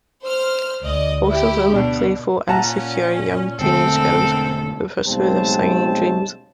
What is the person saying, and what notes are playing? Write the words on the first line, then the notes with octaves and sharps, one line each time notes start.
Both of them are playful, insecure, young teenage girls who pursue their singing dreams.
C5 F6
D2 D5 D#5
E4 G4
B2 D4
A#2 C#4 F#5 A5 A#5
E1 F#2 D3 A3 C4 A4
B1 C#3 G3 G#3 C4 A5